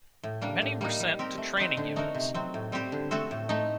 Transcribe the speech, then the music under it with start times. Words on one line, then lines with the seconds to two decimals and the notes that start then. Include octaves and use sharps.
Many were sent to training units.
0.23 A2
0.42 G3 A#3 D4
0.62 A2
0.81 G3 A#3 D#4
1.00 G3
1.19 C4 G4 A#4
1.38 A3
1.57 C4 D#4 F#4 C5
1.77 D3
1.96 A3 D#4 F#4 A#4
2.14 C3
2.34 F#3 C4
2.54 A2
2.72 G3 C4 G4 C5
2.92 D3
3.11 A3 C4 F#4 A4
3.31 A2
3.49 A3 D#4 A4